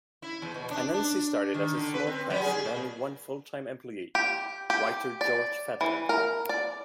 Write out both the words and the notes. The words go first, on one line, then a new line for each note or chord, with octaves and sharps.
Anansi started as a small press with only one full-time employee, writer George Fetherling.
E4
E2
B2
D4
D4
D#3
D3
B4
C4
F#3
G#4
A#2
G4
G4
D5
E3
A#4
D5